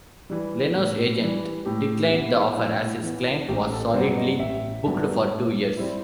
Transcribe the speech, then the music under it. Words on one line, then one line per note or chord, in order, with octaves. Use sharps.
Leno's agent declined the offer, as his client was solidly booked for two years.
E3 G3
A2
E3 G3
A2 G4
E3 B3
A2
E3 B3
A1 G4
A4
G2 F#3 B3 C5
D#5
A1 E5
G2 F#3 B3
A2
G3 C4 E4